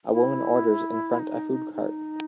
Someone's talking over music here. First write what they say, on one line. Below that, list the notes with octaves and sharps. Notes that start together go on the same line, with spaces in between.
A woman orders in front a food cart.
E4
D#4
D#4